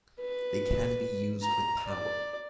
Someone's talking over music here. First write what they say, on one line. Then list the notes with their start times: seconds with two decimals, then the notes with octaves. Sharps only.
They can be used with power.
0.21 B4
1.43 A#5
1.87 D5